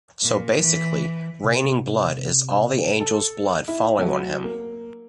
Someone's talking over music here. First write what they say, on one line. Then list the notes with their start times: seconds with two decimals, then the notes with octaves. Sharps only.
So basically, 'Raining Blood' is all the angels' blood falling on him.
0.22 A#2
0.61 E3
1.44 C3
3.00 A4
3.68 E4
3.99 F#3
4.44 A#3